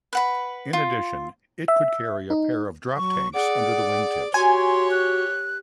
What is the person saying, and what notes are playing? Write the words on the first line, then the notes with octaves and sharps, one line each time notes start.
In addition it could carry a pair of drop tanks under the wingtips.
B4 F#5 B5
F4
E5
D#4
F#3 C#6
G#4 D5 F#5 D6
F#4 G4 C#5 G#5 C6
F#6